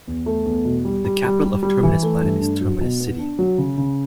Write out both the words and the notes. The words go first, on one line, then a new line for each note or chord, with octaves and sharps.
The capital of Terminus Planet is Terminus City.
E2
A3
E2
B2
G3
G3
G3
G3
G3
E3
A3
G2
D4
F#3
B2
B3
D4
F#3
C#3
C#3